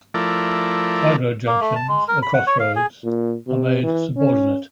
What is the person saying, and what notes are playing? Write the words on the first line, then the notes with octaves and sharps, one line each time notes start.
Side road junctions, or crossroads, are made 'subordinate'.
F3 A3 E4 A#4 D5
A#3
A3
A5
G#3
A#4
B5
F#5
C#5
F5
G#4
A#2
C3
E3
C#4